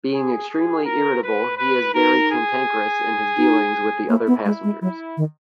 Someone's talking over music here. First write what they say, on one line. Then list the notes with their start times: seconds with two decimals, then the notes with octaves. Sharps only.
Being extremely irritable, he is very cantankerous in his dealings with the other passengers.
0.13 G#4
0.49 G#4
0.85 A#4
1.22 B4
1.57 B4
1.93 D#4 A#4
2.29 G#4
3.37 D#4
4.09 A#3 E4
4.27 B3
4.45 G#3
4.64 G#3
4.81 F#3 E4
5.17 D#3